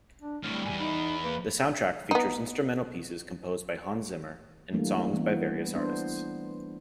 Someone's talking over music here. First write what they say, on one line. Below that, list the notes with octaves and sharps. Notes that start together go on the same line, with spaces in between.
The soundtrack features instrumental pieces composed by Hans Zimmer and songs by various artists.
D4
D2 A2 G3 F6
E2 G#2 G#5
D#4 B5
A#3 B4
B3 D#4
E3 G3 A3 A#3 D4
E3 B3
B3 D4 C5